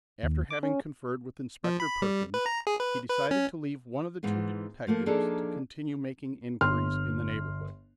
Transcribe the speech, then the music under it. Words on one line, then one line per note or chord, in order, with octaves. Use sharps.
After having conferred with Inspector Perkins, he decided to leave one of the two detectives to continue making inquiries in the neighbourhood.
D#2
D6
C#4
F3
B5
G3
B4
A#5
G#4
B4
B4
C#4
G#2 E3 B3 F4
F3 A3 A#3
F3 A#3 D4 D#4 G#4 A4
G1 C6 F6